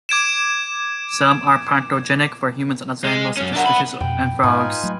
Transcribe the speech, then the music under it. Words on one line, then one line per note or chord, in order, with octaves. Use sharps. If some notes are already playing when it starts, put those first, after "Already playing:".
Some are pathogenic for humans and other animals such as fishes and frogs.
D6 G#6 D7 E7
G#3 F6
F#2 C#4
D4 A#4 E5 F#5
B3 B5
F2 B2 G5
G#2 D#4 F4 B4 G#5
F#3 A3